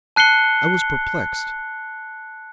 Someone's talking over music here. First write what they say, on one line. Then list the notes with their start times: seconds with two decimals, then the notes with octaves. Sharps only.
I was perplexed.
0.16 A5 F#6 C7 C#7 G7